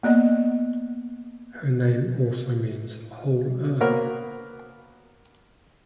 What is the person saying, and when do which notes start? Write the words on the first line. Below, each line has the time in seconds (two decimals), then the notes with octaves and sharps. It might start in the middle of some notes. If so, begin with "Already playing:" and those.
Her name also means "Whole Earth".
0.03 A#3 B3 D5 D#5
3.81 A#3 B3 F#4 A#4 C5 C#5